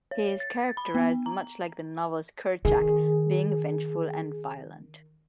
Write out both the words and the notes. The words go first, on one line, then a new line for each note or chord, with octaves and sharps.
He is characterized much like the novel's Kerchak, being vengeful and violent.
C#5
A6
B5
B3
A#5
D#3 G#4